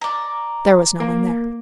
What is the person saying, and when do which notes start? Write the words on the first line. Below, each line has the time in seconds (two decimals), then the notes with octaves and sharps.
There was no one there.
0.01 D5 A#5
1.00 A#3